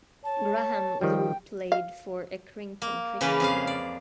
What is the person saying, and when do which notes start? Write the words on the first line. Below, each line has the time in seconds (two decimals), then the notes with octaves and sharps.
Graham Lloyd Played for Accrington Cricket Club.
0.24 C#5 A5
1.01 D#3 F3 G3 G5
1.72 F5
2.82 A#3
3.21 C#3 E3 A#3 C#4 B4
3.40 F2 G#4 F5
3.67 D5